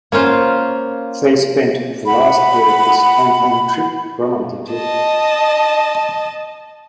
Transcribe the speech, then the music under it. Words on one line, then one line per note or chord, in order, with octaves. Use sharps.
They spend the last day of his Hong Kong trip romantically.
A#3 C#4 F4 C5
F#5 B5
D#5 A5